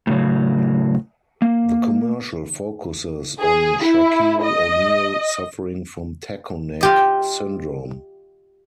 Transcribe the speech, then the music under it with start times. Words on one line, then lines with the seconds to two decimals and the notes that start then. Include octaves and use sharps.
The commercial focuses on Shaquille O'Neal suffering from Taco Neck Syndrome.
0.07 A2 C#3 F#3
1.42 A#3
3.41 G#4
3.84 E4
4.43 D#5
6.81 F4 G4 D#5